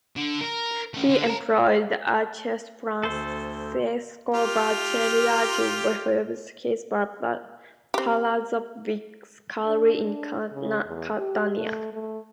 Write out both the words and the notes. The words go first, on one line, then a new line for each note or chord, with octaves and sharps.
He employed the architect Francesco Battaglia to refurbish his Palazzo Biscari in Catania.
D3
A#4
A3 C#4
D3
A4 A#5
D2 A4 C5
F4 G4
C4 G4
D4
D4
C#3
E2
G4
A3
A3